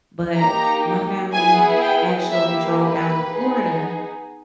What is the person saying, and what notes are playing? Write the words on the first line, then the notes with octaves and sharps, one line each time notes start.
but my family actually drove down to Florida,
A#3 D#4 G4 A#5
B3 E4 G#4 G#5
G5
A#3 E4 G4 E5
B4
B3 D#4 G#4